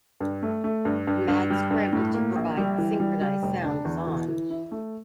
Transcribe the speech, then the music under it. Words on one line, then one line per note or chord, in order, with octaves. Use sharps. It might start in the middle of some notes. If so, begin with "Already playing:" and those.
A mad scramble to provide synchronized sound is on.
G2
A3
A3
G2
G2
G2
G3
G2
A2
A#3
A#1
G3
E3
G3
G3
F1
D4
E2
E3
E3
E4
A3